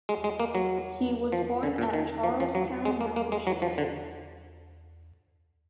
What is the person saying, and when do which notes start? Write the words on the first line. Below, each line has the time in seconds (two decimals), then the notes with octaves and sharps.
He was born at Charlestown, Massachusetts.
0.09 G#3
0.24 G#3
0.40 A#3
0.55 F#3
1.32 F3
1.63 D3
1.78 A#2
1.94 D#3
2.24 F3
2.40 F3
2.55 F#3
2.85 G#3
3.01 A#3
3.16 A#3
3.32 G#3
3.47 F#3
3.62 F3
3.78 D3